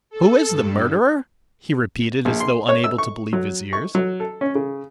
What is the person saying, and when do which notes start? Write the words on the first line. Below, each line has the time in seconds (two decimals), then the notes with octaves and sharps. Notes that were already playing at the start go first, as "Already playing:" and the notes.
"Who is the murderer?" he repeated, as though unable to believe his ears.
0.10 A4
0.48 G2
2.25 A#1
2.40 C6
2.69 C#5
2.84 E6
2.98 C#6
3.33 F#3
3.73 C#6
3.95 F#3
4.20 A4
4.41 C#4
4.55 C#3